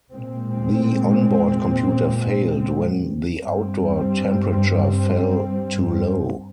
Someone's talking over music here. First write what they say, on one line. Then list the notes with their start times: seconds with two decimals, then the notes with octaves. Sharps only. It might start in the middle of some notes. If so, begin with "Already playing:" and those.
The on-board computer failed when the outdoor temperature fell too low.
0.12 A#2 G#3 C4
3.42 G2 G3 C4